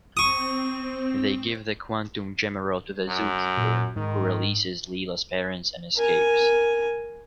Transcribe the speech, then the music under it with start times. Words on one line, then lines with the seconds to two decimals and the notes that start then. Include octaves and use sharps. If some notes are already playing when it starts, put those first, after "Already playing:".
They give the Quantum Gemerald to the Zookeeper, who releases Leela's parents and escapes.
0.17 C4 C#6 D#6
3.08 F#2
3.57 A#2
3.96 G#2 D#3
5.96 A#4 G#5